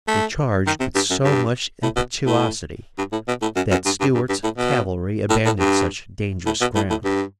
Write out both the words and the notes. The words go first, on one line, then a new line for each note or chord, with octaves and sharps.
They charged with so much impetuosity that Stuart's cavalry abandoned such dangerous ground.
A3
D#3
C3
G2
F#2
G2
A2
B2
A2
G2
A2
B2
A2
F#2
F#2
G2
G2
G2
G2
A2
B2
A2
A2
G2
A2
B2
A2
A2
G2